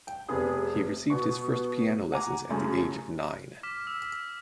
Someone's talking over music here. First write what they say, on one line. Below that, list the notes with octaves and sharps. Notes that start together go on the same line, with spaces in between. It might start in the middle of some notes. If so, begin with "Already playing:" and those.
He received his first piano lessons at the age of nine.
G5
F1 C3 B3 G#4 D#6
B2 B3 C#6
F#5 G#5 A#5 D6
F#2 C#3 A3
D6 F6 B6 E7
E6 F7